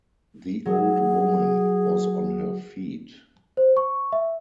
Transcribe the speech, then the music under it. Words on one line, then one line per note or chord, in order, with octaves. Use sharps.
The old woman was on her feet.
F#3 G#4
C5
C#6
E5